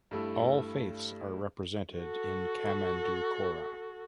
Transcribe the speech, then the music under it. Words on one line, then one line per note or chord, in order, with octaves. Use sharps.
All faiths are represented in Kamandou Koura.
G2 A3 E4
F#4 A4